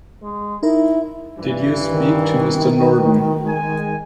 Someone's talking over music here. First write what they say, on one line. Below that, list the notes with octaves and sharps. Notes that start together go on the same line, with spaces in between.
Did you speak to Mr. Norton?
G#3
D#4 E4 A#4
G2 E3
D#3
G#3 G#5